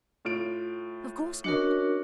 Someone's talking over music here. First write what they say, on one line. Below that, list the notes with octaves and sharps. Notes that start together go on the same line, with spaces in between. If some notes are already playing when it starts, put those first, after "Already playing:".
Of course not!
A2 F4 D7
C#4 D4 F#4 A#4 D#5 C#7